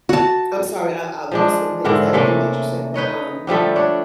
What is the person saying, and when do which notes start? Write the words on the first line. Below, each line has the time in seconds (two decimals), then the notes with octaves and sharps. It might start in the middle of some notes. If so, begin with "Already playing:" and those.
I'm sorry, I I lost the the exact thing that you said, but, um,
0.09 F#4 A5
1.32 F3 G#3 D4
1.85 G#2 D3 E4 A#4
2.13 C3 A3 A#3 C#4
2.94 D#4 B4 C#5 D#5
3.47 D3 F3 G3 A3
3.76 D4 C#5